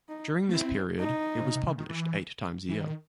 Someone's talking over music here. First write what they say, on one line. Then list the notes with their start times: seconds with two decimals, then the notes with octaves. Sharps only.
During this period it was published eight times a year.
0.09 D#4
0.49 A3
0.53 C4 E4
0.99 D#4
1.37 C3
1.44 C#3
1.56 C3
1.66 C#3
1.78 D#3
1.89 E3
2.69 E3
2.80 D#3